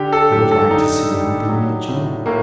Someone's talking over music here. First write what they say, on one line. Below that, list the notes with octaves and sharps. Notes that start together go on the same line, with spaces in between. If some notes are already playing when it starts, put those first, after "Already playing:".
"YOU would like to see him then, would you?"
Already playing: D3 G4
A4
F#2 G4
A4
D3 D#4
G3
F#3
A2
A2 A#3